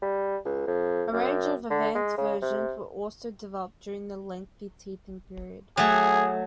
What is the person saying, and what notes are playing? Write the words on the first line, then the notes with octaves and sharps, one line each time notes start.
A range of advanced versions were also developed during the lengthy teething period.
G3
C#2
F2
F#2
D3
G#3
C#3
C3
F#3 A3 G#4